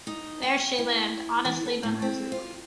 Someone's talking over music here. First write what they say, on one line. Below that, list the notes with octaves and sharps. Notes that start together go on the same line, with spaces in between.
There she lived honestly but miserably.
D#4
G5
E4
E3
A4
A2
C4
F4